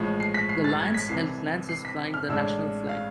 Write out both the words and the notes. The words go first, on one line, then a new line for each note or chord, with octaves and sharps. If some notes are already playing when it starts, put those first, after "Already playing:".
The lions held lances flying the national flag.
Already playing: A1 A2 F3 G#3
C7
B6
C7
A6
G#6
B6
C2 C3 E3 C7
C7
B6
F6
A1 A2 G#3 D4 E6
F5